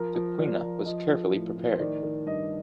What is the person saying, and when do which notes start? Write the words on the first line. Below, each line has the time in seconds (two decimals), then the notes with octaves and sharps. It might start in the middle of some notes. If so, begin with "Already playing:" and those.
The Quinoa was carefully prepared.
Already playing: F3 A#4
0.15 F3
0.38 F3 D5
0.62 F3
0.85 F3 D#5
1.09 F3
1.33 A2
1.57 A2
1.72 C5
1.79 D#3 D5
2.03 D#3
2.26 G2 D#5